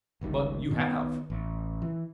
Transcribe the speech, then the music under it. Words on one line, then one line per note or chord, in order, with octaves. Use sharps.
"But you have."
G1 C#2 D#3 G3
D#3 B3
A1
E3